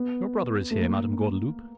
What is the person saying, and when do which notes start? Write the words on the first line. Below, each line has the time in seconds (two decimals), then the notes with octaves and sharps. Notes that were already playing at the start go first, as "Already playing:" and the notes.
"Your brother is here, Madam Gordeloup."
Already playing: B3
0.71 A3
0.80 A#3